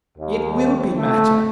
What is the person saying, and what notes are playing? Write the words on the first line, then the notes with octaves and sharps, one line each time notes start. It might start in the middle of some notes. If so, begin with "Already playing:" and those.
'It will be matter.
D#2
A3